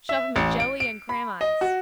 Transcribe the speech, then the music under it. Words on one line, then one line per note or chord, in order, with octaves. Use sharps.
Shove him a joey and grahamise.
E5
A1
D7
D7
B5
D#5
F#4